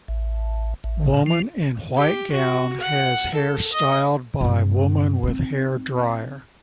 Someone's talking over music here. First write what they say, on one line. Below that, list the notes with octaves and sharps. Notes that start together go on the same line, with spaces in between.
Woman in white gown has hair styled by woman with hair dryer.
A1
A1
A#2
F3
G4
F#4
F#5
A4
D#5
G2 C3
C4 D#4